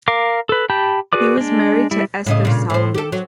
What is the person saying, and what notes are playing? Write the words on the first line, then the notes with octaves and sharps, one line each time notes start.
He was married to Esther Salomon.
A#4 F5 D6
A4 B4
G4 G5 A5 B5 G6
F#4 G#4 B4 D5 D6
G#3 D4
G3 E4
A2 C#3 D#5
A#2 C#3
A2 C5
G4 A4
F#3